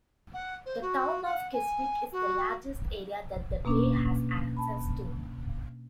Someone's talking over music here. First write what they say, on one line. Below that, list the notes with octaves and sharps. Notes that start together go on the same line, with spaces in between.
The town of Keswick is the largest area that the bay has access to.
F#5
C5
F#4
F#5
G#5
F#4
B2 A#3 C#4 D4
A5 B5